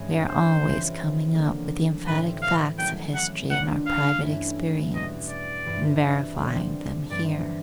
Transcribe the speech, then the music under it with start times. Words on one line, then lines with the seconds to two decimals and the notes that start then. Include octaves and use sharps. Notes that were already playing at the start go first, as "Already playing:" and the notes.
We are always coming up with the emphatic facts of history in our private experience and verifying them here.
Already playing: G2 E3 G#3 C#4
0.27 C5
0.63 C#3 E3 G#3 C4 F4
1.34 D3 F3 A#3 D#4
2.06 A2 E3 G3 C4 E4 B4
2.42 F5
2.78 D#3 F#3 A3 C#4 E4 G5
3.15 F#5
3.50 D#3 G3 B3 D4 F4 F#5
3.86 F5
4.22 G2 E3 A3 C#4 E4
4.94 E2 B2 G3 D#5
5.30 D5
5.66 G2 E3 G3 C4 F4
6.38 D3 G3 C4
7.10 G2 E3 G3 C4 D5